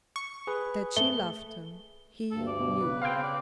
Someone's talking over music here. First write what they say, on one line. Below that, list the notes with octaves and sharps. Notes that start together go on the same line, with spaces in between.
That she loved him, he knew.
C#6
G#4 B4
A3 G7
D2 G2 A4
D5
B2
C#3 B4
C4 F5 G5
D5